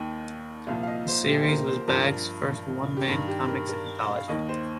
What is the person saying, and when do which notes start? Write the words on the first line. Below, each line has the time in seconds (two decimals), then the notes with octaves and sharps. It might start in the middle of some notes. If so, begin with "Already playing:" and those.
The series was Bagge's first one-man comics anthology.
Already playing: D#2 D#3 D#5 G5
0.67 C2 A#2 F3 F5
0.83 F5
0.87 D#5
1.08 C5
1.28 G4
1.43 C5
1.48 A#4
1.68 C5
1.88 G2 F3 A#4
2.97 G4
3.08 G2 D#3 A#4
3.28 G4
3.48 A#4
3.69 A#4
4.16 F5
4.28 D#2 D#3 D#5
4.49 C5